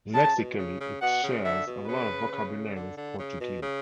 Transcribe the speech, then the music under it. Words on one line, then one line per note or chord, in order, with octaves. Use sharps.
Lexically, it shares a lot of vocabulary with Portuguese.
C#3 A5
B2
C#3
C#3
B2 F#5
C#3
D3 E5
B2
C#3 B4
C#3
D3
D3
C#3
B2
C#3